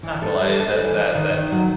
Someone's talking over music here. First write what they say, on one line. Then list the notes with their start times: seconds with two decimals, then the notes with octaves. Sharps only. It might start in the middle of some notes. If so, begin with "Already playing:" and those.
Not gonna lie, that that that
0.03 E3
0.22 A4
0.41 G3
0.60 A4
0.78 E3
0.96 E3
1.15 D#3
1.33 D#3
1.52 F#3